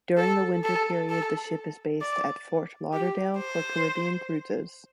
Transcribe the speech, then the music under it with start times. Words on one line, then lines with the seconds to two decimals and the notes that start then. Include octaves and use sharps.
During the winter period the ship is based at "Fort Lauderdale" for Caribbean cruises.
0.17 A4
0.64 A4
1.10 A4
2.01 D5
2.93 G4
3.38 C5